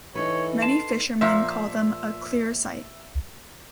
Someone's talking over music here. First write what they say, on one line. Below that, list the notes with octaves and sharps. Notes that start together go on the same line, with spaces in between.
Many fishermen call them a "clear sight".
E3 D#4 A4 B4 C#5
A5 C6
A#2 F3 A#3 E5